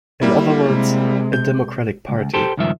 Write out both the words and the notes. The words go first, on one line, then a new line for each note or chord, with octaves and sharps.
In other words, a democratic party.
G3 A#3 E4
C3 G#3
G6
C#2
C#2
G4 A4 C5
C#2 G2 D#3 F3 E5